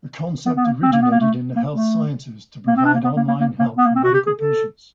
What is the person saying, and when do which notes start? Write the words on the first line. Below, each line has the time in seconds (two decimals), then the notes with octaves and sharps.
The concept originated in the health sciences to provide online help for medical patients.
0.46 B3
0.57 B3
0.65 A#3
0.83 C4
0.92 A#3
1.02 B3
1.11 A#3
1.20 A3
1.56 A#3
1.76 A3
2.67 A#3
2.77 C4
2.85 D4
2.94 A#3
3.04 B3
3.16 A#3
3.28 A#3
3.40 A#3
3.59 A#3
3.78 B3
3.86 A#3
3.95 C4
4.04 F#4
4.14 G4
4.27 G#4
4.38 A4